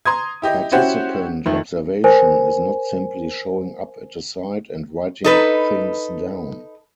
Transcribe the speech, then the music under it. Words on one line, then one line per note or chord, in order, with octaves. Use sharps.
Participant observation is not simply showing up at a site and writing things down.
A#5 C6 D#6 G#6
E4 G4 D#5
C#4 E4 F#4 G4 C5 F#5
F2 D#3 A3
A#4 C5 G#5
D#4 A4 B4